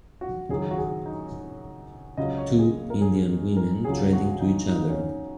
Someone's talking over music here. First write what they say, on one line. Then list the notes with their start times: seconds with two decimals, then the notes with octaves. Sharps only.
Two Indian women treading to each other.
0.21 F#4
0.49 F#1 F#2 D#3 F#3 G#4
0.71 F#4
0.78 G#4
1.06 D#4
2.17 C#2 C#3 F#3 D#5
2.38 C#5
2.59 G#4
2.90 A#4
3.01 G#4
3.57 A#4
3.84 C#2 C#3 F#3 G#4
4.13 F#4
4.40 D#4
4.68 D#4
4.89 C#4